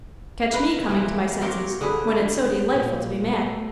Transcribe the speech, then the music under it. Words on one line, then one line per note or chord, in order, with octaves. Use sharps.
Catch me coming to my senses, when it's so delightful to be mad.
A#4 B4
E3 A#3 C4
F#3 C4 G4 A#4
D3 G#4 B4
A#2
A3